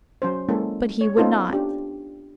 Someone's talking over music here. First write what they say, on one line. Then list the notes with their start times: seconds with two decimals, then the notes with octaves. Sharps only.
But he would not.
0.22 F#3 C#4 C5
0.49 G#3 A#3 C#4 E4 A4
1.01 C#5
1.17 B3 C#4 D#4 F4 A4 C5
1.53 D4 G4